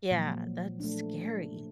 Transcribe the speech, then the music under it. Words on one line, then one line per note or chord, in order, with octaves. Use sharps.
Yeah, that's scary.
A#2 F3 F#3 G#3
A3 D4